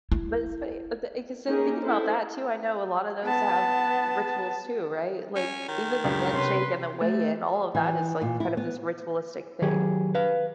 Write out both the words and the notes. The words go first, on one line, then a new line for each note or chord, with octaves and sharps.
But, it's funny but, the like I said, thinking about that, too, I know a lotta those have rituals too, right? Like, even the handshake, and the weigh-in, all of that is, like, part of this ritualistic thing,
E4
A#3 C#4 D#4 G4 G#4
E4 A4 C5
B3 A5
C#4
D#3
C#2 F#2 C#3 D4 G4
C3 C#4 B4 C6
A3
E3
A#2
E4
B3
D#3 F#3 G4 G#4
B4 F5